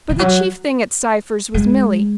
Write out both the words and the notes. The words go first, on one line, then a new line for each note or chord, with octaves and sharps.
But the chief thing at Cypher's was Milly.
E3
F#3
G#3